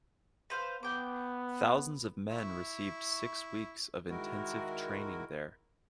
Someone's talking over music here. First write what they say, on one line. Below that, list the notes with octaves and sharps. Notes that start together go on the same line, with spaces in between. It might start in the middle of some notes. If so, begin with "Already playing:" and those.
Thousands of men received six weeks of intensive training there.
B4 C5 F5
B3 G5 D6
E4 C#6
D#3 G#3 E4 F#4 A#4